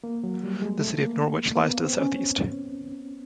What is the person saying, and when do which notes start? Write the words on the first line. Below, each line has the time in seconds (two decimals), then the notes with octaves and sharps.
The city of Norwich lies to the south-east.
0.04 A#3
0.24 F#3
0.44 G3
0.62 G#3
0.82 A3
1.02 A#3
1.55 A#3
1.60 B3
1.79 C4
1.99 C#4